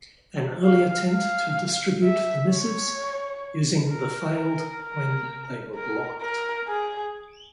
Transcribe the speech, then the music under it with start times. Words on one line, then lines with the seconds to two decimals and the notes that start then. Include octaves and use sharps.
An early attempt to distribute the missives using the failed when they were blocked.
0.64 F5
1.11 F5
2.03 E5
2.50 C#5
3.89 A#4
4.36 A#4
4.82 A#4
5.75 A#4
6.21 A#4
6.69 G#4